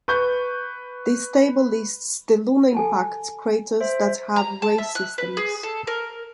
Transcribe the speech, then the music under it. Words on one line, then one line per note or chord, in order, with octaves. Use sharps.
This table lists the lunar impact craters that have ray systems.
B4 C#6 G6
A4 G#5 A5
C5 E5
A#5
A5
E5
F#6
B4
G#4
A4
A#4